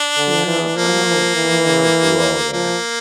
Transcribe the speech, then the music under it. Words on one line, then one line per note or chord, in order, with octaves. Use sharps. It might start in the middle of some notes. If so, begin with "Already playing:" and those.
You know, I don't I don't wanna do all that.
Already playing: D4
D3
E3
F3 A#3
F3
E3
F3 A#3